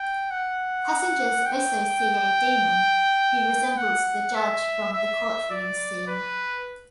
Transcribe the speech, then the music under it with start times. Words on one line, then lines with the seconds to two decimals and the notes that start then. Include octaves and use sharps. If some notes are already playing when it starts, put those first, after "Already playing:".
Passengers also see a demon who resembles the Judge from the courtroom scene.
Already playing: G5
0.31 F#5
1.46 G5
3.77 F#5
4.35 E5
4.93 E5
5.51 D5
6.08 B4